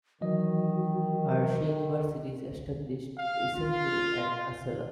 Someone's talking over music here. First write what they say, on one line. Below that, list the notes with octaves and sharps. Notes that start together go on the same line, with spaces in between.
Arsi University is established recently at Asella.
D#3 E3 F#3 F#4 D#5
F5
F4